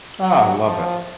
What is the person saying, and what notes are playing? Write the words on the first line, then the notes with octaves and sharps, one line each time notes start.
Ah, love it.
F#3 F#5
F3